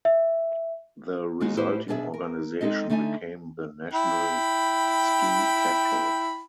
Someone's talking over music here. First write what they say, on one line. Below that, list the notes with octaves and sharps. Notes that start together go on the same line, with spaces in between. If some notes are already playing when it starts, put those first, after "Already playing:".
The resulting organization became the National Ski Patrol.
E5
D#2 G#3 D#4 F#4
A2 E4 G4 B4 C5
B2 D4 G#4 D#5 E5
A#4
G#3 C4 D#4 A4 D#5
D3 A3 D#4 E5 G#5
E4 G5 B5